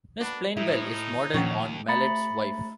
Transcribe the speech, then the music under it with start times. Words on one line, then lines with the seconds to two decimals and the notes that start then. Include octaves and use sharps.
Miss Plainwell is modeled on Mallett's wife.
0.21 D4 F#4 B4
0.57 A2 D#4 E4
1.34 D#2 A#2 F3 F#3 C#4 G5
1.88 A3 A#5 B5 A6 C#7